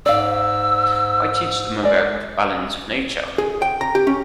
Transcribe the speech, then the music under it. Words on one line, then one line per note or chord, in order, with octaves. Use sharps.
I teach them about the balance of nature.
G#2 D5 F5 E6
G#3 D5
G#4
G5
A#5
G4
C#4